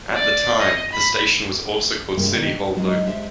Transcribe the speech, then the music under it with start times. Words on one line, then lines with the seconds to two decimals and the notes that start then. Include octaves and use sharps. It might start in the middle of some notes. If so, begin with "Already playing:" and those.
At the time, the station was also called City Hall Loop.
0.15 D5
0.60 D#5
0.92 B5
2.17 G2 C3 G#3 A#3 F4 G4
2.34 B2 D#3
2.54 D4
2.76 F#3 G#3 D#4 D#5
3.06 G#3 G4 C5 D#5 E5